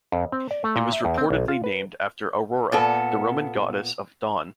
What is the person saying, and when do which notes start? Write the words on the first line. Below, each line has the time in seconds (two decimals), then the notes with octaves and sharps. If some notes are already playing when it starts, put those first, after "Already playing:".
It was reportedly named after Aurora, the Roman goddess of dawn.
0.12 F2
0.32 C4
0.51 D5
0.64 A3
0.76 A#2
0.93 E5
1.05 E2
1.18 C4
1.30 B1
1.48 F4
1.64 B4
2.72 A#2 B3 A4